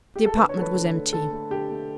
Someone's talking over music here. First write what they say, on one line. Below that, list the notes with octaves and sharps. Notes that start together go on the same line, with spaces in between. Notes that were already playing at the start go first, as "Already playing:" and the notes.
The apartment was empty.
G4
A4
D3 B4
C#5
A3 A4
B4
D3
A3
D3 A4
A3
D3 G4
A3